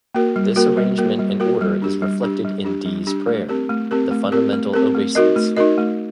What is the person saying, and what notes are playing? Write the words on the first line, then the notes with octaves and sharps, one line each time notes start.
This arrangement and order is reflected in Dee's prayer - The Fundamental Obeisance.
A#3 F#4 A#4
G3
A#3 F#4 A#4
G3
A#3 F#4 A#4
G3
A#3 F#4 A#4
G3
D4 G4
G3
D4 G4
G3
D4 G4
G3
D4 G4
A3
C4 G4 A#4
A3
C4 G4 A#4
A3
C4 G4 A#4
A3
C4 G4 A#4
A3
D#4 F#4 A#4 D#5
A3
D#4 F#4 A#4 D#5
A3